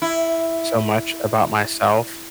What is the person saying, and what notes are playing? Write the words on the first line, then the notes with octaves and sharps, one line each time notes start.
so much about myself
E4